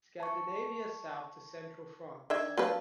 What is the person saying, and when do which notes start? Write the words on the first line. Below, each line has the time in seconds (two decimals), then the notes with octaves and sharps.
Scandinavia South to central France.
0.20 A5 C#6
2.30 D#3 D4 D5 E5 G#6
2.58 F#3 C4 B4 F5 A5